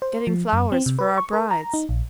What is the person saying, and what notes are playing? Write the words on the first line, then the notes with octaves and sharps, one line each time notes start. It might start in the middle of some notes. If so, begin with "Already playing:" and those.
'Getting flowers for "our brides".
C5
F3
F#2
C4
C3
B4
C#6
A#4
A#5
D#4
A#1